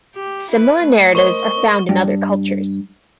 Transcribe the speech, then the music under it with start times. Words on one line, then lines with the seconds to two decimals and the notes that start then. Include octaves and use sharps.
Similar narratives are found in other cultures.
0.15 G4
0.51 E4 B4
0.82 A3
1.15 A#4 C5 D#5 C#6 G7
1.89 G2